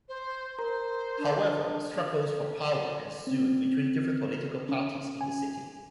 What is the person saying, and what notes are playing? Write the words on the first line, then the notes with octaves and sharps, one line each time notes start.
However, struggles for power ensued between different political parties in the city.
C5
A#4 C5 A#5
D4
C4
C#4
G#5